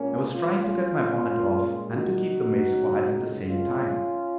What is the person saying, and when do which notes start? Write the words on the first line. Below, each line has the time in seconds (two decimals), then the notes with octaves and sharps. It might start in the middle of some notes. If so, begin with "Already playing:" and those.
I was trying to get my bonnet off and to keep the maids quiet at the same time.
Already playing: A#2 G#3 A#3 C#4
0.31 C#4 F4
1.10 A#2 G#3
1.88 D#4 F#4
2.66 F2 C#3 G#3
3.44 C#4 F4